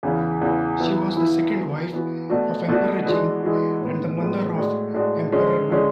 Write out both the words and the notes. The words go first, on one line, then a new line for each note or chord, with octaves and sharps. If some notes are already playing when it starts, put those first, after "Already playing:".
She was the second wife of Emperor Jing and the mother of Emperor Wu.
E2 C#3 E3
E2 C#3 E3
E3 B3 E4
E3 B3 E4
E3 B3 F#4
E3 B3 F#4
B2 A3 D4 F#4
B2 A3 D4 F#4
E3 G#3 D4 F#4
E3 G#3 D4 F#4
A2 G#3 B3
A2 G#3 B3
A2 G#3 D4 F#4
A2 G#3 D4 F#4
D3 G#3 C#4
D3 G#3 C#4